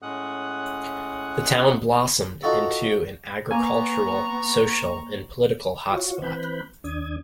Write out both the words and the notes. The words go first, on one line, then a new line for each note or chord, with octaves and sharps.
The town blossomed into an agricultural, social, and political hot spot.
A2 G#3 C#4 F#5 D#6 F#6
D#4 F4 F#4 A4
A#3 B3 G#5 A#5 C#6
F4 F#4 C#5
E3 C4 B4 B5 F#6 G6
D#2 D4 D#6 G#6